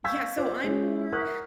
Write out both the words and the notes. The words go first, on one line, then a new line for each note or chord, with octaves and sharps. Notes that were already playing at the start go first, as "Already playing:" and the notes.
Yeah, so I'm more
F5 C#6 E6 G6 G#6 B6
F4 C5 D6
G#3 C#4
A#4 F#5 C#6 D#6 F6 F#6